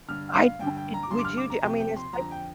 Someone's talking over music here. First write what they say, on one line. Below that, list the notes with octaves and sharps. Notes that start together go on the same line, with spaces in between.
I wouldn't would you do I mean, it's like
G2 D3 F6
F5
G2 D3 G5
G5
A#5
D6
G2 D3 C6
D6
F6
D6
A#5
F2 C3 G5
G5
C6
F2 D3 A#5
G5